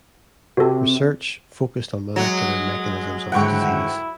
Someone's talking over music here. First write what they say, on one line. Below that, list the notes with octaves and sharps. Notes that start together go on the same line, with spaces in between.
Research focused on molecular mechanisms of disease.
C3 F#4 A4
F#3 G#3
D#2 G#2 D3 E4 F#5 G5 C#6